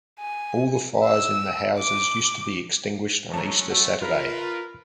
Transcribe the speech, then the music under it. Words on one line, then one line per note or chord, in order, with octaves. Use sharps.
All the fires in the houses used to be extinguished on Easter Saturday.
G#5
E6
D6
F#2 G#3 A3 C#5 A5 A#5
A3 F#4
F4 A#4 B4 F6